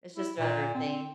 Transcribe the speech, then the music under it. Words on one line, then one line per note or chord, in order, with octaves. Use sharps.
It's just another thing.
E4
A#2
C4